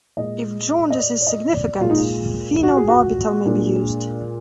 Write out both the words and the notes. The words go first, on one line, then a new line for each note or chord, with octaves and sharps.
If jaundice is significant phenobarbital may be used.
A#2 G#3 D#5
D#5
D5
D5
D#5
D5
A#2 G#3 F4
D#4
F4
F#4
G#4
F#4
A#2 G#3 D4